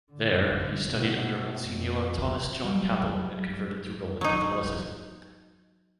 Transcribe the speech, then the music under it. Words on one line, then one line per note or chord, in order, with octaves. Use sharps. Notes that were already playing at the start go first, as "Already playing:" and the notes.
There, he studied under Monsignor Thomas John Capel and converted to Roman Catholicism.
D3
B2
F2
F#3 G3
F#3 D#4